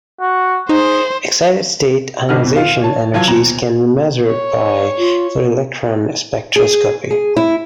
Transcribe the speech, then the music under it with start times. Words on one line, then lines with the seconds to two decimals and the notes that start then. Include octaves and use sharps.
Excited-state ionization energies can be measured by photoelectron spectroscopy.
0.20 F#4
0.69 D#4 G#4 C5
2.29 G#1 D3 D4 D#5 F#5 F6
2.42 F2 B2
2.56 D#1 F4 F5
2.81 C#5 A5
3.13 E3 F#3 F4 A5 G#6
3.27 D#1 B2 A#5 E7
4.27 C#5
4.98 F4
6.56 G#4
7.11 G#4
7.36 E4